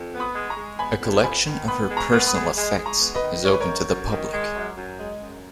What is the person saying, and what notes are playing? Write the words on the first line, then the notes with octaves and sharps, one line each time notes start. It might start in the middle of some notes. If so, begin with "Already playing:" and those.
A collection of her personal effects is open to the public.
Already playing: F2
B3
B5 D#6
G#3
A#5 C#6
G#3
B3 G#5 B5
F2
B3 G#5 B5
D#3
B3 B5 D#6
G#3
A#5 C#6
B3
B5 D#6
G#3
G#3
G#3
A#5 C#6
B3
B4 D#5
D#3
G#3 C#5
B4
A#4 C#5
F#2
F#2
D#3
G#3
F#2
F#2
G#3
F#2